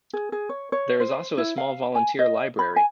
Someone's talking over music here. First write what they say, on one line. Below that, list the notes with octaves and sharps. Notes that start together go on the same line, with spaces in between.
There is also a small volunteer library.
G#4
G#4
C#5
C#5
C5
E4
F5
G#5
D#5
B5
G#5